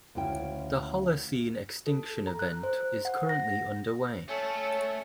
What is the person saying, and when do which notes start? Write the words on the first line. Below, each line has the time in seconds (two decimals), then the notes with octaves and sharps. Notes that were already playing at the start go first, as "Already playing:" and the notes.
The Holocene extinction event is currently under way.
0.15 D2 C#3 E4 G5
1.87 A4
2.27 A#5
2.39 F#6
2.63 C5
3.05 F#5
3.29 A#6
4.29 A3 C#4 A4 C#5